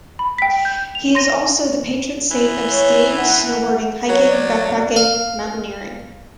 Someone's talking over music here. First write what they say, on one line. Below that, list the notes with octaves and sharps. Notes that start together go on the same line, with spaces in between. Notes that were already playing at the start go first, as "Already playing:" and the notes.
He is also the patron saint of skiing, snowboarding, hiking, backpacking, mountaineering.
B5
G5 B6
G6
F7
C6 A#6 D#7 G7
E3
C#5
F#5
F#3 C#5
D5
F5